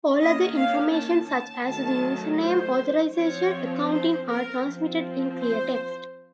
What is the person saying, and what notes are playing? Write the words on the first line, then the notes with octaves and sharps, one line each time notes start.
All other information such as the username, authorization, accounting are transmitted in clear text.
D#3 A#3 C#4 D#5
F5
A5
A5
D#3 F#3 A3 A5
C5
F3 C4 C#5
C5
A#4
F3 C4
C5